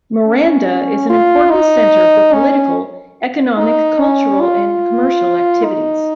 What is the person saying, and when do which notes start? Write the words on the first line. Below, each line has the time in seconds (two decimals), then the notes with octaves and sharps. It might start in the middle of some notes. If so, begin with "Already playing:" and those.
Miranda is an important center for political, economic, cultural and commercial activities.
0.26 C#4
1.10 F4
1.51 D#4
2.33 C#4
3.57 D#4
3.99 C#4
4.41 F4
5.64 D#4